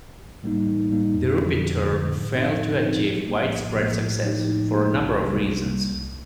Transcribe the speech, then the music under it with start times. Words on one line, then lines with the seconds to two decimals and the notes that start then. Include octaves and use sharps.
The Ruputer failed to achieve widespread success, for a number of reasons.
0.19 A1
0.43 A2 G3 A#3 D#4
0.66 A1
0.90 A2 G3 A#3 D#4
1.14 F2
1.38 D3 F3
1.62 F2
1.85 D3 F3
2.09 A2
2.33 F3 C4 D#4
2.57 A2
2.80 F3 C4 D#4
3.04 A#1
3.28 A2 F3 A#3
3.52 A#1
3.76 A2 F3 A#3
4.00 A2
4.23 F3 A#3 D#4 G4
4.47 A2
4.70 F3 A#3 D#4 G4
4.95 C2
5.18 C3 G3 A#3
5.42 C2
5.66 C3 G3 A#3
5.90 C2